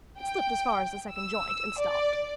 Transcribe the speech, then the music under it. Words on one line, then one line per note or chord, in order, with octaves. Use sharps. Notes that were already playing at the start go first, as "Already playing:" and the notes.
It slipped as far as the second joint and stopped.
G5
E6
D5